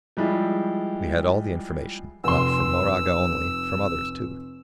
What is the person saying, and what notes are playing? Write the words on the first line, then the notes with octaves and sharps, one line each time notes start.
We had all the information, not from Moraga only; from others, too.
F3 G3 G#3 E4
F1 C6 E6